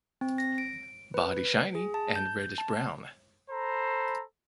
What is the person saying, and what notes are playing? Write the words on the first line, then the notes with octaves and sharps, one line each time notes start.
Body shiny and reddish brown.
C4
A#6
D7
B4
G#4
A5
G6
A5
A4 C5 A#5 B5